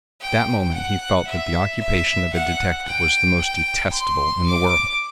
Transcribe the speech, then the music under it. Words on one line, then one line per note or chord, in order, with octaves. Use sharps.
At that moment he felt that the occupation of a detective was the most detestable in the world.
G5
F#5
E5
E5
F#5
G5
G5
C6
D6